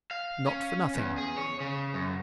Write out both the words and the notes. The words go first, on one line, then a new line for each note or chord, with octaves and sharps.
Not for nothing!
F5
C#4
E2
G#4
C#5
C#3
F#2